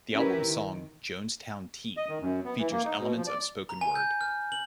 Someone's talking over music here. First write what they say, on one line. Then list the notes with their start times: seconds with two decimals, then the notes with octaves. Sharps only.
The album's song "Jonestown Tea" features elements of spoken word.
0.13 C#4 E4 G4 A#4 B4
0.43 D#3
1.97 D#5
2.09 D#3
2.21 F#2
2.44 B3
2.58 E3
2.71 A#3
2.85 D#4
3.00 B2
3.16 F3
3.27 D5
3.69 A#5
3.81 G#5
3.95 G6
4.21 F6
4.52 F#7